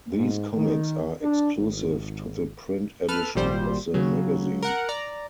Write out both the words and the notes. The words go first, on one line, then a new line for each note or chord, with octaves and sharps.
These comics are exclusive to the print edition of the magazine.
G#2
D#3
D4
G#1
A4 B4 F6
G#1 A#2 G3 C5
C#3 F#3
A#4 F#5
D5 A#5